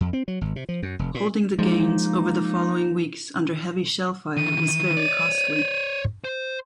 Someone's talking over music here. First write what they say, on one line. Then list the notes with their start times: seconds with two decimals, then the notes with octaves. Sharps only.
Holding the gains over the following weeks under heavy shellfire was very costly.
0.01 F2
0.13 C4
0.28 F#3
0.41 G#1
0.56 C3
0.69 F3
0.83 F#2
0.99 F1
1.15 A#2
1.59 F3 G#3 A#3 D#4
4.37 D#3 E3 D#7
4.97 C#5 D5
6.25 C5